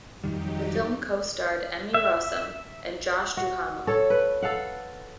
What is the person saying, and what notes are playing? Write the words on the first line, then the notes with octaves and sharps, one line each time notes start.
The film co-starred Emmy Rossum and Josh Duhamel.
F2 D#3 F#3 G3 D#4 G4
E5
F#4
A4 C#5
B4
A4 F5 F#5